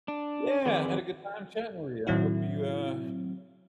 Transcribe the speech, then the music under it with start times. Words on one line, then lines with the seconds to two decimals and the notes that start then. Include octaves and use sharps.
Yeah, had a good time chatting with you, I hope you, uh,
0.08 D4
0.66 F2 D#3 C4 G#4 B4 D5
2.07 A2 D#3 F#3 C4 E4 F#4